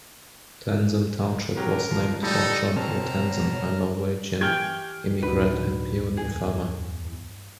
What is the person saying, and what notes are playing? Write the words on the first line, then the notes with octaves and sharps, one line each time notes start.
Tansem Township was named for John O. Tansem, a Norwegian immigrant and pioneer farmer.
F#3 C4 C#4 G4 A#4
C#2 F3
G#1 A2 F3 G3 D#4 A4
B2 C4 C#5 A5 A#5 F6
E3 G4 G5 F6 G#6
D2 A2 D4 D#4 F#4 B4
E2 G2 G#4